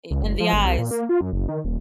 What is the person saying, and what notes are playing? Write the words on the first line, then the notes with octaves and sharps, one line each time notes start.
I In the eyes.
C#2
F#1
F3
G1
C2
A#2
A#3
F4
F#2
F#1
D#3
D#1